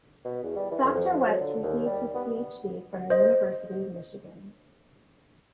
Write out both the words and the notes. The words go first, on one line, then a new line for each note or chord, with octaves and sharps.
Doctor West received his Ph.D from the University of Michigan.
B2
E2
G3
E3
F2
F2
F3
F#3
D3
D#2
G3
B3
C5 D#5